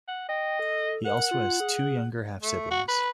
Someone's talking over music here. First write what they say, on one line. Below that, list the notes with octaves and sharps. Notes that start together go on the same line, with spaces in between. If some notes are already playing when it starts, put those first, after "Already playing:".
He also has two younger half-siblings.
F#5
D#5 G5
A4
A#4 F#5
F4
G#4
A3
F#4
B4